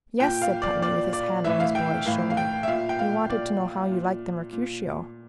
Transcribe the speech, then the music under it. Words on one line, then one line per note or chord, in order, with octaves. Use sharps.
"Yes," said Putney, with his hand on his boy's shoulder, "we wanted to know how you liked the Mercutio."
A#2 G5
F5
D5
A#2 D5
D5
A2 E3 E5
F5
G5
A2 E3 F5
F5
G5
E5
A#2 F5
G5
F5
A#2 D5
A#2
A#2